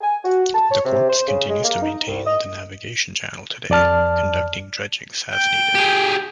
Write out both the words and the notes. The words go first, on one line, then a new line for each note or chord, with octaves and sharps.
The Corps continues to maintain the navigation channel today, conducting dredgings as needed.
G#5
F#4
A5
C#5
C3
C5
C#3
G#3
A#3
D#4
C2
D#5
F2 D5 A5 F6
G5
G4 G#4